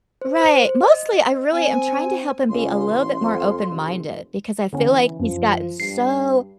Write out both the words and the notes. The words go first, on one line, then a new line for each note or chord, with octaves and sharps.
Right, mostly, I really am trying to help him be a little bit more open minded because I feel like he's gotten so
C5
C5
D#5
C4 G#5
C#2 C6
A1
F2
F1
D3 E3 B3 C#4
F#2 F3
G2 C7